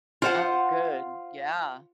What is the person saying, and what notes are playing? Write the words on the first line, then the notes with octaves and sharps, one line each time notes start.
Oh, good. Yeah.
F4 C5 F#5